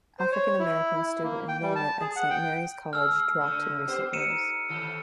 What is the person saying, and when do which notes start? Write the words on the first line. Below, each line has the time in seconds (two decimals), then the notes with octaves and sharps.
African-American student enrollment at Saint Mary's College dropped in recent years.
0.19 C5
0.32 C#5
0.59 E4
0.97 E4
1.23 A#3
1.48 G5
1.62 G3
1.75 A5
2.01 G#4
2.16 F#5
2.30 G5
2.93 G#3 E6 F6
3.41 D3 A3
3.87 B3 G4 C5
4.13 D#4 C#7 D#7 E7
4.69 A2 D#3 A4